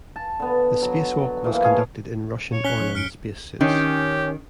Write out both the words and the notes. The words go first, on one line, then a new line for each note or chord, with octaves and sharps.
The spacewalk was conducted in Russian Orlan spacesuits.
A5
D3 B3
F#3
A#2 E3 F3
G#4 C#5 F5 A5
A#2 C#5
C#4 F#6 B6 G7
F3
F#2 F6 C#7 D7
D#3 C#4 G4